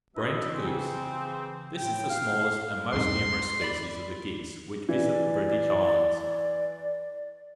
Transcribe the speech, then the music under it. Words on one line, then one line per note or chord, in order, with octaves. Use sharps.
THE BRENT GOOSE.--This is the smallest and most numerous species of the geese which visit the British islands.
D4 E4 F#4 B4 D#5 E5
C#3 E3 C4
A2 G5
F5
C2 F2 G#2 C6
D5 B5
E3 D5